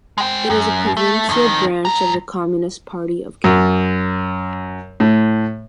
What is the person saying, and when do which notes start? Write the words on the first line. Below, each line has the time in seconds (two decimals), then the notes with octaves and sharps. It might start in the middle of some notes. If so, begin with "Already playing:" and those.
It is a provincial branch of the Communist Party of Canada.
0.18 G#3 G5
0.50 F#2
0.97 A3
1.29 F2 D#3
1.85 G2 A#5
3.44 F#2
5.00 A2